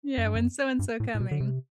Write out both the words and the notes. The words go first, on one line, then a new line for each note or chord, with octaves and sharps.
Yeah, when's so-and-so coming.
F#2
G2
F#2
G2
A2
A2
B2
D3
C3